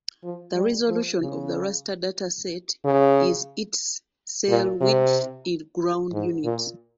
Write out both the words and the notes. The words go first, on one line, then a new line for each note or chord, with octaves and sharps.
The resolution of the raster data set is its cell width in ground units.
F3
G3
F3
C#3
C#3
A#2
C3
G#2
A#2